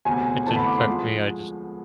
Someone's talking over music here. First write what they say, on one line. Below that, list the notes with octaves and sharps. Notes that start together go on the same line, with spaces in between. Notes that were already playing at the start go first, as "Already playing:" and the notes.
it didn't affect me, I just,
E1 D2 C3 G#5
E2 D3 A3 C4 E4 A5
B5
D6
C6
F3 G#3